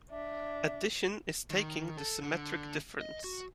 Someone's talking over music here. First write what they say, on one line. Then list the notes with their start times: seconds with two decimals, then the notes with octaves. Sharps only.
Addition is taking the symmetric difference.
0.11 D4 E5
1.50 D#3
1.97 A4
2.23 D3
3.01 D#5
3.24 F#4